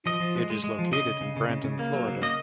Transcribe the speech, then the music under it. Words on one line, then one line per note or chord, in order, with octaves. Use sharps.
It is located in Brandon, Florida.
F3 D#5
F3
G#3
G#3
G#3
F3
C#3 D#5
C#3
C#3
C#3
C#3
C#3
A#3
F#3
C#3
A#3 D#5